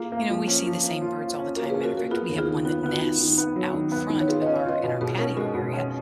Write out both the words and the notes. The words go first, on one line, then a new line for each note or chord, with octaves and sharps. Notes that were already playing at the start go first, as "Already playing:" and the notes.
You know, we see the same birds all the time, matter of fact, we have one that nests out front of our in our patio area,
Already playing: A#3 F4 G#4
A#3
F3
C#4
F3
A#3
F4
F4
C#4
A#3 F#4 A#4
C#5
G#4 B4
C#4
F#4 A#4
A#3
F#4 A#4
B3 F4 G#4
D#2 A#4
F4 G#4
D#3
B3 F4
B3 F4
F#4
D#3
D#3
B3
F#3
D#3
B3
D#3
C#5
F4 G#4 B4
B4 D#5
C#4
C#5 F5
F4 B4 D#5
B2 B4 D#5
B2 G#4 B4
C#4 F#4 A#4
G#3 F#4 A#4
B2
C#4